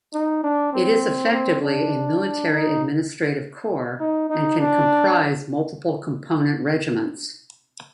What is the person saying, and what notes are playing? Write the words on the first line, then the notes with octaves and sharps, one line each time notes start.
It is effectively a military administrative corps, and can comprise multiple component regiments.
D#4
D4
C4
C4
D4
D#4
D#4
D#4
D4